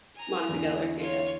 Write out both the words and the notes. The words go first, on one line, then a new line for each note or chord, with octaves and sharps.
Monica Geller, yeah.
G#5 A#5
E2 D3
F4 C#5